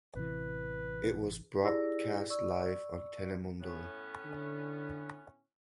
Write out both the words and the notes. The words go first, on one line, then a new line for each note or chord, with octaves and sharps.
It was broadcast live on Telemundo.
A1 C3 E3 B4
E4 G4 G#4 D5 E6 A#6
D5 C#6 E6
A2 B3 C#4
D3